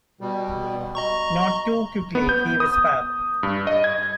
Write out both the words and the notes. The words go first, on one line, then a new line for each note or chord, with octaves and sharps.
"Not too quickly," he whispered.
B2 G3
D#5 A#5 C#6
B3
G6
D#6
G2
D#5
G#6